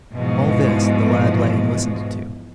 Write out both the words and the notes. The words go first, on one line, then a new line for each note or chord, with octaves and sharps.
All this the lad lay and listened to.
E2 G#2 B2 F3 G#3